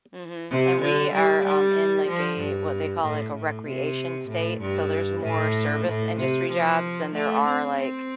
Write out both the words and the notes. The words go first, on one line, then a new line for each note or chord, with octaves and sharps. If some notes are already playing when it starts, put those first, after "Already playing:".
Mhm. And we are, um, in, like, a what they call, like, a recreation state. So there's more service industry jobs than there are like
C3
D3
G3
G3
F3
G2
A2
A2
C3
A2
G2
A2
A2
C3
F3
A3
C4
C4